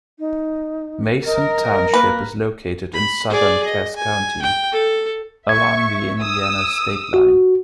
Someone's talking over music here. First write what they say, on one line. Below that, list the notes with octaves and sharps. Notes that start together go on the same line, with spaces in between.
Mason Township is located in southern Cass County, along the Indiana state line.
D#4
A#4 D#5
A#3 B4
B5
G#4 D5
D#5
G#5
G5
A4
E5 C#6 G#6
D#6 E6
F#4